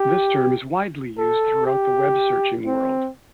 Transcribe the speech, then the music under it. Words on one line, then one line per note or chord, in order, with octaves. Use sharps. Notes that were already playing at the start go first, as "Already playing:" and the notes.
This term is widely used throughout the web searching world.
Already playing: G4
A4
G4
C4